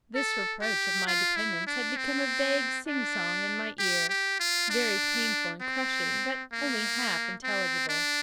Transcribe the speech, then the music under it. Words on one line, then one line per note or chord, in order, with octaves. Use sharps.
This reproach of my dependence had become a vague sing-song in my ear: very painful and crushing, but only half intelligible.
A4
G4
F4
E4
D4
C4
D4
G4
G4
F4
D4
C4
A#3
C4
D4